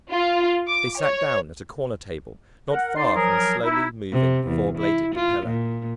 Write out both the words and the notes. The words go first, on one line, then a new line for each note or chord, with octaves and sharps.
They sat down at a corner table not far from the slowly moving four-bladed propeller.
F4
D6
C#5
A#4 F#5
D#4 D5 C6
F3 F#3 G#4 A#4
D#4 E4
C3
E2
E4
F4
A#2